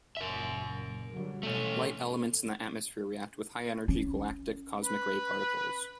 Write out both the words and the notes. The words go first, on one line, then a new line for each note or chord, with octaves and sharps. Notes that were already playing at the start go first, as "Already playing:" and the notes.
Light elements in the atmosphere react with high energy galactic cosmic ray particles.
F#1 A#2 A#4 E5
D3 F#3 G3
B2 A3 C#4
C#4
B4